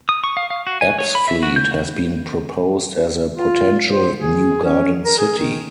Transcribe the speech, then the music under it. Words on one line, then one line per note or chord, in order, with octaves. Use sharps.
Ebbsfleet has been proposed as a potential new garden city.
D#6
C#6
F5
F5
F#4
G#5
C#5
B5
E5
F#4
G6
F4
C5
G#4
C#4
A#4
G#4
D#3